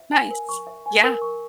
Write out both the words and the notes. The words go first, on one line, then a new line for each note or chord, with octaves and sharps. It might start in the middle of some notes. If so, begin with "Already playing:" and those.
Nice. Yeah.
Already playing: E5
G#5
A#4
C#6
E5
G#5
A#4
C#6